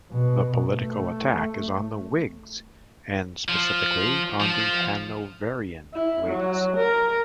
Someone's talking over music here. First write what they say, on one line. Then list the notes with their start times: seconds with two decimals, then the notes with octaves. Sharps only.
The political attack is on the Whigs, and specifically on the Hanoverian Whigs.
0.13 B2
0.74 A3
3.49 F3
4.40 F3
5.94 E4
6.26 F#3
6.77 A#4